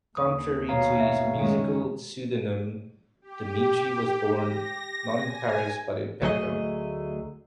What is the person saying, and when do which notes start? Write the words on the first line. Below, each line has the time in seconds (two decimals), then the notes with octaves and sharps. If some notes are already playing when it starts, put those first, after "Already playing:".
Contrary to his musical pseudonym, Dimitri was born not in Paris but in Peckham.
0.17 D#2 D#6
0.69 B2 B3 C#5 F5 A#5
1.00 E5
1.36 F#2 D#3 G#3 C#4
3.22 G4
4.36 A#6
5.20 G#5
6.22 D2 F#3 A3 G#4 D#5